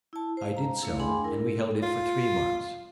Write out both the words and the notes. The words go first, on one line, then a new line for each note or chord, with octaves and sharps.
I did so, and we held it for three months.
E4 A5
C5 F5
A#5
A3 E4 F5
D4 G#4 G5 G#5 B5 C6
E4 A#4
F4